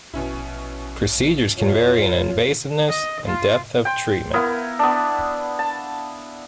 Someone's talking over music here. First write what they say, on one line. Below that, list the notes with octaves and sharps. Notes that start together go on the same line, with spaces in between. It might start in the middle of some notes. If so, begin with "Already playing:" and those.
Procedures can vary in invasiveness and depth of treatment.
A#1 B2 C#4 E4
F2 F4 C#5
D#5
F4
G5 C6
B3 E4 A#4 F5
B3 D4
A5